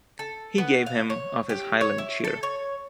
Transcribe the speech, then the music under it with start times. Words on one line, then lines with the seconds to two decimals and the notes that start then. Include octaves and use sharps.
He gave him of his highland cheer.
0.19 A4
0.58 B3
0.86 F5
1.10 C#5
1.49 G4
1.81 C#5
1.98 E4
2.24 A4
2.43 C#5